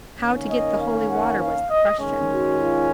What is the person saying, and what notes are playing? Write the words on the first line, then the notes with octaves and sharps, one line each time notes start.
How to get the holy water was the question.
D#3 A#3 C#4
D#5
F5
F#5
F5
D#5
D#3 G#3 C#4
F#4
F4